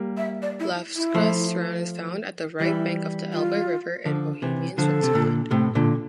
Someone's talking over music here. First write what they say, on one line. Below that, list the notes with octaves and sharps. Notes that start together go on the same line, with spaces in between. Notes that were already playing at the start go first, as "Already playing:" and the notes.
Labská Stráň is found at the right bank of the Elbe river in the Bohemian Switzerland.
Already playing: G3 A#3
E5
D5
E4
E4
F3 A3
E3 G3 E4
F4
D3 F3
C3 E3
D3 F3 A4
C3
A#2 D3
A2 C3
A#2 D3